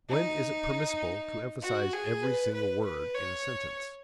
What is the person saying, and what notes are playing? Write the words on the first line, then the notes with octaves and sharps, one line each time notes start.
When is it permissible to emphasize every single word in a sentence?
D#4
F#4
G#4
B4
B4
B4
C#5